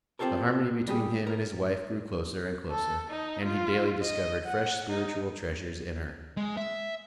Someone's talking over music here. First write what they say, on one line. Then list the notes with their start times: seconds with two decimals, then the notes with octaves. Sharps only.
The harmony between him and his wife grew closer and closer and he daily discovered fresh spiritual treasures in her.
0.19 C4 F4 G4 A4 A#4
0.88 G3 G4 G#4
1.27 A#4
2.71 A4
3.10 D#4
3.44 F4
4.02 D#5
4.46 F#5
4.90 D#4
6.37 G#3
6.57 E5